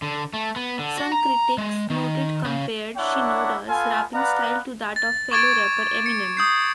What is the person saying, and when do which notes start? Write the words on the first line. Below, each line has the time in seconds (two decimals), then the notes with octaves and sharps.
Some critics noted compared Shinoda's rapping style to that of fellow rapper Eminem.
0.02 D3
0.34 A3
0.56 B3
0.79 D3
0.97 F#4
1.12 A#5
1.58 G#3
1.90 D#3
2.45 C#3
2.97 A#3 D4 E4 C#5 E5 F#5
3.69 B3 F4 A4 F5 G#5
4.14 B3 B4 D5 F5 F#5 A#5
4.96 A6
5.31 C#6 D6 G#6 A6 D7
6.06 C#7
6.37 D#6 G6 C7